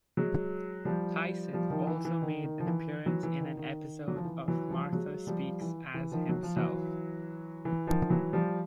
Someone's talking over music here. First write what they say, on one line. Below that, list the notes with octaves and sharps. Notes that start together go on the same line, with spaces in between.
Tyson also made an appearance in an episode of "Martha Speaks" as himself.
F#3 G#3
F3 G3
F3 G3
D#3 F3
E3
E3
D#3
D#3
F3
E3
E3 F#3
E3
D#3
D#3
F#3
F3
E3
E3 F#3
F3 G3
F#3 G#3
F3 G3
E3
E3
D#3 F3
F#3
F3
E3 F#3
E3
D#3 F3
E3 F#3
F3 G3